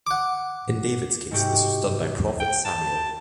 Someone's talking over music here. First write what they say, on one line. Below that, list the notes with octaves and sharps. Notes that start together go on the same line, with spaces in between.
In David's case, this was done by the prophet Samuel.
F#5 D6
G#2 C3 A3 F#4 G4
G5
A5